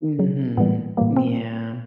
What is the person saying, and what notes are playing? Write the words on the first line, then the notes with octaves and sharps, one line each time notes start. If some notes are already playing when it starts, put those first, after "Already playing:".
Mhm. Yeah.
C#3 F#3
A2 E3 G3 B3
A2 E3 G3 A#3
C4